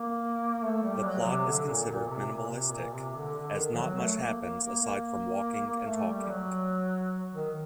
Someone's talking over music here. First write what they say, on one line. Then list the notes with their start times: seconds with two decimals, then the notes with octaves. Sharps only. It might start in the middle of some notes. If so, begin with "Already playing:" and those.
The plot is considered minimalistic, as not much happens aside from walking and talking.
Already playing: A#3
0.63 A3
0.83 G3
1.04 F#3
1.26 C3
1.46 D3
1.68 A#2
1.88 A#2
2.10 C3
2.31 A#2
2.51 C3
2.72 A#2
2.94 C3
3.15 D3
3.36 D3
3.55 D#3
3.77 F#3
3.99 A3
4.19 A#3
4.40 A#3
4.62 A#3
4.82 A#3
5.66 A#3
5.87 A3
6.08 G3
6.28 F#3
7.33 D#3